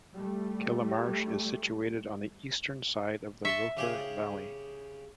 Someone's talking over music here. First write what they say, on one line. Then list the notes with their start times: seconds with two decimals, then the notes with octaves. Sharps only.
Killamarsh is situated on the eastern side of the Rother Valley.
0.14 G3 A3
3.45 E5 A5 C6 C#6
3.77 C#3 G4 G#4